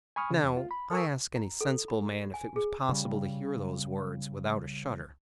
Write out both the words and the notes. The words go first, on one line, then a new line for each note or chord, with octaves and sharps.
Now I ask any sensible man if it was possible to hear those words without a shudder.
G#5 B5 C#6 D#6 F6
C#3
E2
F4
B5
A4 A#4 G#5 C#6 D#6 E6
A#5
A4
B5
G#5
G#4
C#3 G3